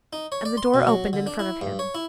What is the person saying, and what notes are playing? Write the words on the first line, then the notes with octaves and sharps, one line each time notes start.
And the door opened in front of him.
D#4
C#5
D5
C6
B2
F#3
D3
D4
E4
G2
C#5
E4